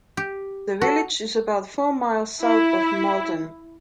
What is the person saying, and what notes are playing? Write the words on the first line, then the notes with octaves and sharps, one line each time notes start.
The village is about four miles south of Malton.
G4
F#4 A4
E4